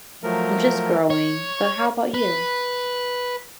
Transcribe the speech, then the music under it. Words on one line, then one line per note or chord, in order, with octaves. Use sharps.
I'm just growing, but how 'bout you?
F3 F#3 A3 A#4
C#5
B4